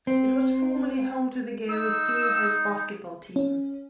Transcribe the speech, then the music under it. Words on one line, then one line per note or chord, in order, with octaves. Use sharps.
It was formerly home to the Gary Steelheads basketball team.
C4
D#4 E6
C#4